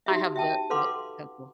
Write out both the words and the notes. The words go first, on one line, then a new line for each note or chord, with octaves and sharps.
I have the the pencil.
D#4 F#4 G4 E5
E5 G5 A5
A4 B4 F5 F#5 C6 D6